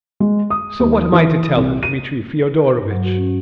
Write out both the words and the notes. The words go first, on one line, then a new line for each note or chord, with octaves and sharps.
So what am I to tell her, Dmitri Fyodorovitch?
G#3
D#6
D#2
E3
C2
D#7
G2
F#3
F#4
C#4